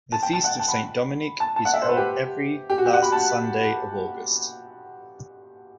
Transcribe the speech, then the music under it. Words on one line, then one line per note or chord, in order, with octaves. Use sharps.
The feast of Saint Dominic is held every last Sunday of August.
A5
G5
A5
F#5
A5
B5
A5
A5
F#5
E5
C5
B4
G4
G4
F#4
G4
F#5
B5
A5